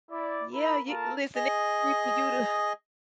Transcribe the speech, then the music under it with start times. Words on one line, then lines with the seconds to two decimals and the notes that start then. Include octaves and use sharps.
Yeah, you listen, it ain't for you to
0.11 E4 D5
0.52 E4 A#4 B5
0.87 A#3 F4 A4 A#4 A5
1.36 G#4 D#5